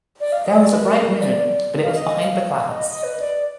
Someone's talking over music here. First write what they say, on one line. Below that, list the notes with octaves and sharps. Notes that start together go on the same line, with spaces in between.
There was a bright moon, but it was behind the clouds.
D5
F5
D#5
D5
B4
A#4
A#4
D5
F5
D#5
F5
D#5
D#5
B4
D5